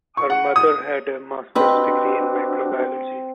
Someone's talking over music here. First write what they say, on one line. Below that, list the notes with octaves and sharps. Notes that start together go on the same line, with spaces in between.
Her mother had a master's degree in microbiology.
C#6
F#5
D#6
C4 D4 F#4 G4 B4 D#5